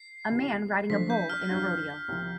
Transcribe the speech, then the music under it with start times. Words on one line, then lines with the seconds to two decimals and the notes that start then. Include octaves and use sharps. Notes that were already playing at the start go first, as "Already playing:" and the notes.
A man riding a bull in a rodeo.
Already playing: C7
0.30 C3 E3 B3 E4
0.90 F3 A3 D4 A4 C5 B6
1.10 G6
1.30 F6
1.49 F2 C3 G3 D4 F4
2.08 C2 C3 F3